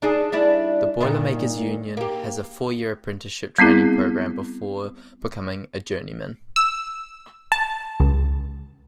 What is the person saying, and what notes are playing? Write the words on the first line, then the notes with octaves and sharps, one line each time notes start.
The Boilermakers union has a four-year apprenticeship training program before becoming a Journeyman.
D4 D#4 G#4
G3 D4 E4
G2 A#2 D#3
A#3 G4
G3 B3 C4 E4 G#4
E6
A5
C#2